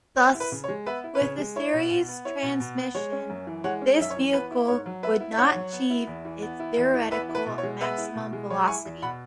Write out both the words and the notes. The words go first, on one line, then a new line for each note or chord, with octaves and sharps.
Thus, with the series transmission, this vehicle would not achieve its theoretical maximum velocity.
B3 C#5
E4
B4
C#3
C#5
G#3
B3 B4 E5
E4
B4
C#3 C#5
G#3
E4 C#5
B2
B2
B3
E4 C#5
B2
B2
B3
G#3 C#5
C#4
F#2
E3
G#3 C#5 F#5
C#4
F#2 E5
C#5
E3
B3 B4
E4
G#2 C#5
F#3
B3 B4 E5
E4
E5
G#2 C#5 F#5
F#3
B3
E4
E2
E3
B3
E4
E2
E3
B3 B4 E5
E4
B4
B2
C#5
G#3
B3 B4 E5
E4
B2
G#3
F#3 C#5
E4 G#5 C#6
E2
B2 F#5 B5